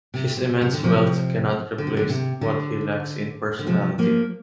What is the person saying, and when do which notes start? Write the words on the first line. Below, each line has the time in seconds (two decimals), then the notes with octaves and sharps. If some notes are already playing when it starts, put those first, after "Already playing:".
His immense wealth cannot replace what he lacks in personality.
0.14 C3
0.37 C3
0.61 C3
0.73 D3
0.84 C3 F3
1.78 D3
1.87 C3
1.97 D3
2.09 C3
2.41 D3
3.59 D3
3.67 C3 F3
3.98 F3 A#3